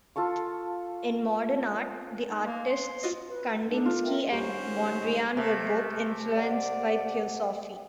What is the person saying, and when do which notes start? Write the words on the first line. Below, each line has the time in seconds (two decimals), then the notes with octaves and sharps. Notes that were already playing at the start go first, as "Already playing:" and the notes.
In Modern Art, the artists Kandinsky and Mondriaan were both influenced by theosophy.
0.16 F4 A4 A5 C#6
2.30 D#4
2.45 A#3
2.70 C6
3.03 F4 F#4 D#5
3.27 B4
3.67 D4 D#4 A4
3.85 F4
4.03 A#4 E5 G5
4.32 D#3 G3 C#4 F#4 C5
5.37 C3 A3
6.36 D5 D#5 F#5